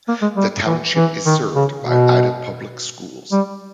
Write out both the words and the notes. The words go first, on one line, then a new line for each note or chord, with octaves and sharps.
The township is served by Ida Public Schools.
A#3
G#3
G3
E3
E3
D#3
C#3
B2
G3